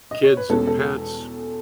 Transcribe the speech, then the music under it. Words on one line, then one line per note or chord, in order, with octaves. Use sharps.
kids and pets,
D#5
C#5
B4
E2 B2 G#3 C#4 A4
A4